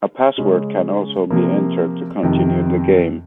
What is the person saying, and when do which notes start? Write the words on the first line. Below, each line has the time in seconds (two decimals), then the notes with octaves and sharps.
A password can also be entered to continue the game.
0.38 C#3 G#3 C#4
1.30 C3 F3 A#3
2.23 F2 C3 D#3